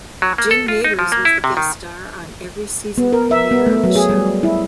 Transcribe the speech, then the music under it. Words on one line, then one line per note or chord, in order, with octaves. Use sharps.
Jim Nabors was the guest star on every season premier of the show.
F#3
A#3
A4
F4
D#4
F3
A#3
E4
C3
D#3
B3
A#4
E5
B3
A3
F#3
G#4
G3
E4